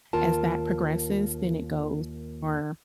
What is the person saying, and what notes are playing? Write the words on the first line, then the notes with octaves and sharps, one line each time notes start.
as that progresses, then it goes more,
D#2 F4 A#4 A5